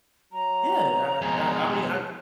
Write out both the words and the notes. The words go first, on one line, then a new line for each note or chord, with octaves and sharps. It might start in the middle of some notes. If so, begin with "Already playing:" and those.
Yeah, I I I mean, I
F#3 A#5
F2 B2 G#3